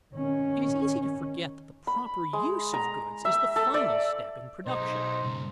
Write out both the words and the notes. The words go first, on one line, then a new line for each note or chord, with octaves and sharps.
It is easy to forget that the proper use of goods is the final step in production.
D#3 C#4
B5
G#3
A#5
E5
A4
D5
B1 D#4 C5
G2 C#3